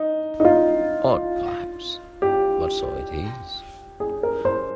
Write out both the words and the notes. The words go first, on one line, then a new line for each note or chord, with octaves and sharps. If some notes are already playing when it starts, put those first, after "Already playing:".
Odd perhaps, but so it is!
Already playing: D#4
D#4
F4
G4
G#4
A#4
C5